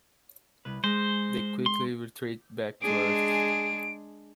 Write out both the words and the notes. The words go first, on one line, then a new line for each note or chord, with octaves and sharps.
They quickly retreat back to Earth.
C2 B4
G#3 C5
C6
G#3 D4 G#4 D7